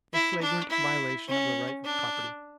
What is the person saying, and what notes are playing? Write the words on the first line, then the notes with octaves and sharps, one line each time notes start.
A flagrant violation of the right of property.
E4
D4
E4
C#4
D4